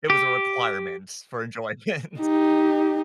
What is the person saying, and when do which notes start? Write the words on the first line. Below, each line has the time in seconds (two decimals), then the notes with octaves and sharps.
It was a requirement for enjoyment.
0.10 G4
2.19 D#4 G4